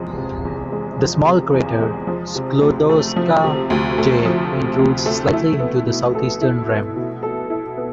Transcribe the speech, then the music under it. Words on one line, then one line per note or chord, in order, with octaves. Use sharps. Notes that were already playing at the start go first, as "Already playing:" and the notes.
The small crater Sklodowska J intrudes slightly into the southeastern rim.
Already playing: E2 C3 F3 G#3
C3
E2
G#3
F3
C3
E2
G#3
F3
C3
D2
A3
F3
C3
D2
A3
F3
C3
D2
A3
E4
B3
B2
A4
E4
B3
B2
A4
E4
B3